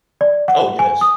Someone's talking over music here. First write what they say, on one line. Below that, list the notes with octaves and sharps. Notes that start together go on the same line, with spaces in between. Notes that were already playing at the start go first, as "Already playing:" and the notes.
Oh, yes.
D5
F#5
G#5
D#6